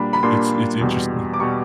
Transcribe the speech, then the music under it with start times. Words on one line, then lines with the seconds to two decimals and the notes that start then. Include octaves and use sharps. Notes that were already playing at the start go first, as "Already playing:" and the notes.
It's it's interesting.
Already playing: A#2 G3 A#3 D4 B5
0.13 B5
0.23 A#2 G3 A#3 D4 C6
0.81 E2 B2 G3
1.34 D6
1.40 B2 G3 C#6